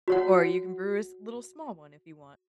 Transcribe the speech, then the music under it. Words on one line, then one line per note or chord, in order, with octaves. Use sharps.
or you can brew a s little small one, if you want.
F#4 C#5 F#5